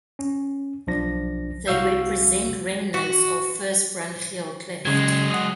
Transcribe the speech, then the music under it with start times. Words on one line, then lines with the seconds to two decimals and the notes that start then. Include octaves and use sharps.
They represent remnants of first branchial cleft.
0.19 C#4
0.87 B1 F3 D4 A#6
1.67 C2 F#4 F5 E6 G6
2.94 F#4
4.85 C#3 F#3 G#3 G#6
5.31 F#5 D#6